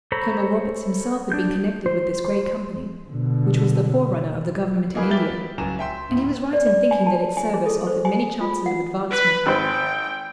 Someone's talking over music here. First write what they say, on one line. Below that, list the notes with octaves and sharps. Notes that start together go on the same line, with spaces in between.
Colonel Roberts himself had been connected with this great company, which was the forerunner of the Government in India--and he was right in thinking that its service offered many chances of advancement.
A4 C5 C#5 A#5 B5
D4 G6
C5
B2 D3
F#3 A#3 D#4 G#4 A#4 B4
G4 A#4 B4 E5 A6 G7
C#2 F#3 G#5 A#5 E7
E5 G5 C6
D1 D2 E4
D5
D5
G#5
A5
G#5
G#4
A4
C5
G#5
F4
F#5
B4 B5
G#1 C5 G5